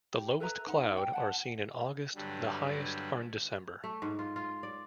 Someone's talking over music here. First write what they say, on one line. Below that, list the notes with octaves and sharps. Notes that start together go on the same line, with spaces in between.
The lowest cloud are seen in August; the highest are in December.
G4
A4 B4 E5 A#5
D#4 F#5
G5
F#5 A5
G2 D3 F#3 G3
A3
G#2
F4
F4
D5